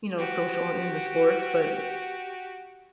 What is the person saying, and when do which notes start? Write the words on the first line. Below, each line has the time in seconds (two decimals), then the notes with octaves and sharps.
you know, social and into sports, but
0.17 F#4 G4